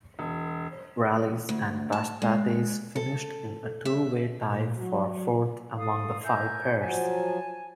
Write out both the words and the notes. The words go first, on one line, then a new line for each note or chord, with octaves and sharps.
Rallis and Paspatis finished in a two-way tie for fourth among the five pairs.
E1
D2
A5
G#3
A4
E5
A#2
F#3
A4 F5 D#6
A#4 E5 G#5 G6
F3 F#3 G#5 A5